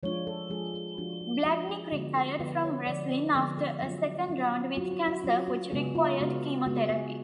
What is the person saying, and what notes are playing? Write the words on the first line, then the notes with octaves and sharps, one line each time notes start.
Blatnick retired from wrestling after a second round with cancer, which required chemotherapy.
F3 G#3 D4 F4 C#5
A4
F3 G#3 D4 F4 G#4
G#4
F3 G#3 D4 F4 F#4
F4
F3 G#3 D4 F4 F#4
G#4
D3 F3 G#3 B3 F#4
A4
D3 F3 G#3 B3 B4
C#5
D3 F3 G#3 B3 D5
B4
D3 F3 G#3 B3 G#4
A4
F#3 C#4 F4
F#3 C#4 F4
F#3 C#4 F4 F#4
F4
F#4
F#3 C#4 F4 F#4
F#4
C#3 G#3 B3 G#4
F4
C#3 G#3 B3 F#4
C#3 G#3 B3 F#4
G#4